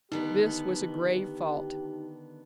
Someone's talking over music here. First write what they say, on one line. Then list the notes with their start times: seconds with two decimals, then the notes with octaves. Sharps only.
This was a grave fault.
0.12 D3 D#3 B3 D#4 G4